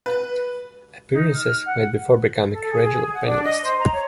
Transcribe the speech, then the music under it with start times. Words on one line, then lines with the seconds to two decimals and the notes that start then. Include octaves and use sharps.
Appearances made before becoming a regular panellist.
0.06 B4
1.13 D#4
1.33 F6
1.66 F#5
2.51 A4
2.72 G#4
2.84 G#4
3.13 F#5
3.26 D4
3.43 D#5
3.63 C5
3.78 A#5
3.92 C#5